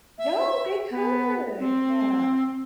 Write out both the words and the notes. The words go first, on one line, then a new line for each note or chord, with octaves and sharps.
Yo, they could. Yeah.
E5
B3
C4